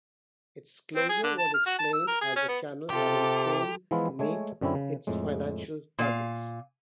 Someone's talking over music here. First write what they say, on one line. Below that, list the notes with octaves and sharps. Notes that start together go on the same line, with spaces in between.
Its closure was explained as the channel having failed to meet its financial targets.
C4
G#4
D3
A5
F6
F#4
A5
E6
A#4
G#4
C#4
B3
C3 F4 G4 A4 D6
E3 F3 G#3 B3 E4 F4
G#3 A3 C#5 G#5
F#2 D3 C4 C#4 E4
C#3
F2 A2 G#3
A#2 F5